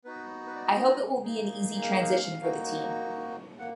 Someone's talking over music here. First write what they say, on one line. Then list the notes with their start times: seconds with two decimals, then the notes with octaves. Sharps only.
I hope it will be an easy transition for the team.
0.05 B3 D#4 F#4 B4
0.47 B4
0.56 D5
0.65 D#5
1.23 A#3 D#4 G#4
1.82 F5
1.91 D#5
2.01 F5
2.41 A#3 D#4 F#4
3.59 A#3 F#5